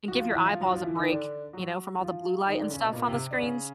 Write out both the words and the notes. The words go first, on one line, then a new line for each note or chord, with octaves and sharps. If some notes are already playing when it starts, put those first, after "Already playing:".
and give your eyeballs a break, you know, from all the blue light and stuff on the screens.
F#4
F3 F4
E3 E4
F3 F4
F#3 F#4
F3 F4
E3 E4
D#3 D#4
D3 D4
F#3 F#4
F3 F4
D#3 D#4
D3 D4
C#3 C#4
B2 B3
A#2 A#3
C3 C4
D4
C#3 C#4